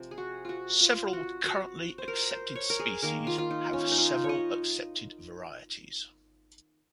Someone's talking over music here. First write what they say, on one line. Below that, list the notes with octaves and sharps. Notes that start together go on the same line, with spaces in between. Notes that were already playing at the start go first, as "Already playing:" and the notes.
Several currently accepted species have several accepted varieties.
Already playing: C3 F3 G#3
G#4
F#4
F4 F#4
F4
F#4
F#4
C5
A#4
C5
C#5
A#4
G#4
D#3 A#3 A#4
F4
F4
D#4
C#4
D#4
F4
C#5
D#5